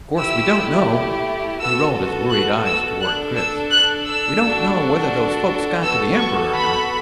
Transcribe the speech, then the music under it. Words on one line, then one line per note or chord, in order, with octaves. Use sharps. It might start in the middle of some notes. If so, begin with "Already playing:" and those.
'Course we don't know--" He rolled his worried eyes toward Chris, "We don't know whether those folks got to the Emperor or not.
A3 E4 G4 E6
B3 F#4 A4 E6
F#6
E6
D4 A4 F#6
E6
F#6
E6
D4 F#4 A4
B3 F#4 A4 E6
C#6
B5